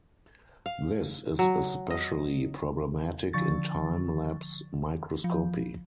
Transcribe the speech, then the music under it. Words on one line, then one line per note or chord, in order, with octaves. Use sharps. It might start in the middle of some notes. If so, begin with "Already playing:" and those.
This is especially problematic in time-lapse microscopy.
F5
F#3
D#5
D3 F3 C#6 A6
F3